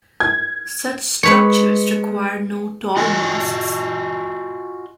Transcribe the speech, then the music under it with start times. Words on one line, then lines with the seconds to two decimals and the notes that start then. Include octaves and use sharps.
Such structures require no tall masts.
0.20 G#6
1.23 G#3 B4 C#5 B6 C#7
2.97 F4 F#4 D#5 G#5